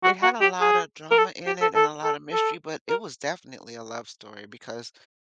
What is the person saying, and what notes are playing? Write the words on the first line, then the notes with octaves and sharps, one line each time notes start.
it had a lotta drama in it and a lotta mystery, but it was definitely a love story because,
F#4
F#4
G4
G#4
A#4
A4
G4
A4
A4
A4
A4
A#4